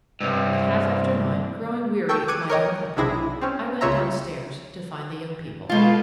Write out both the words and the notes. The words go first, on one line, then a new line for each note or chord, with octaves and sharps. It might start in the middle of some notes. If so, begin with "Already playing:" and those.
At half after nine, growing weary of my own company, I went downstairs to find the young people.
C2 G2
A4 G5 C#6 E6 G6
D6 F#6 G#6 C#7 D#7
A#4 C#5 D#5 G5
B1 C3 D4 E4 G#4 A#6
C4 C#4
C2 C#3 F4 C#5 E5 A#5
B2 G#3 F4 A4 B4